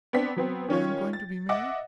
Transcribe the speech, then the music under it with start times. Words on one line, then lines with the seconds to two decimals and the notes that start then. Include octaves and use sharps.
"Where I am going to be married?"
0.13 B3 C4 D4 B6
0.36 F#3 B3 C4
0.68 D#3 C#4 F4 C#5
1.13 A6
1.49 D#5 E5 F#5 D6